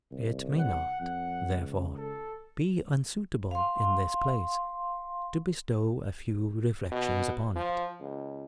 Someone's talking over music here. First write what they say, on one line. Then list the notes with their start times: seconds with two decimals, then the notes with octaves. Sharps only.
It may not, therefore, be unsuitable, in this place, to bestow a few reflections upon it.
0.11 C2
0.59 F#5
1.00 F2 F#5
1.55 C#2
1.98 A4
3.51 F5 C6
6.92 B2
7.55 F3
8.00 C#2